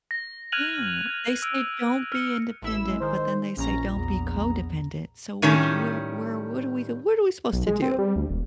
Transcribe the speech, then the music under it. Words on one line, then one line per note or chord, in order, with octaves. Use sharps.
Yeah, they say don't be independent, but then they say, don't be codependent. So which Where Where What do we go? What are we supposed to do?
A#6
F6 F#6 G#6 D#7 F7 F#7
G#6
E6 D7
F6 C#7
A1 E4 E6
G#3
D#3 G#3 C5
A#1 C#4 A#5
E2
A2 D#3 G3 C#4
B1
G#3
C4
G3
D2
E1